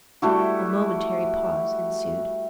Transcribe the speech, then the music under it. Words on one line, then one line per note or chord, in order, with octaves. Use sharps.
A momentary pause ensued.
G3 A3 E4 F#4